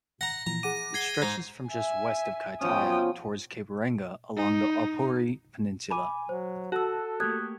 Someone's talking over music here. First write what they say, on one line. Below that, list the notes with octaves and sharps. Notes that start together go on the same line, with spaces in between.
It stretches from just west of Kaitaia towards Cape Reinga along the Aupouri Peninsula.
F#5 A#5 A#6
A#2 E3 F3 A#5
G#4 F#5 D6 D#7
G#6 C7 G7
G#2 D#4 G#4 C5
E5 G#5
B2 F3 C#4 G5 D#6
D#4
G#5 B5 D6
F#3 C5
F#4 A4 A5 E6
A3 A#3 G4 D#6 F#6 G#6